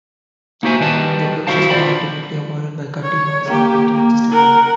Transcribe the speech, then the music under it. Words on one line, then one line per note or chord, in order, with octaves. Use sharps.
The closures were ultimately avoided by cutting hours and maintenance system-wide.
A#3 D#4 F#4 C5 E5 G#5
D#3 G3 B4 A5
E4 F#4 C5 F5 A5
B3 F4 C5 D5 G5 B5
C#5
A#3 G4
A#3
A#4 F#5